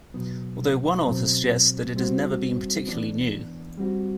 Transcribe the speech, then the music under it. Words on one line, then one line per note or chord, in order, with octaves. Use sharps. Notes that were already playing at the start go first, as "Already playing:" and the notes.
Although one author suggests that it has never been particularly new.
B2 F#3 B3
B2 F#3 C4
G3 C4 F#4
E3 B3 D4
G3 C4 F#4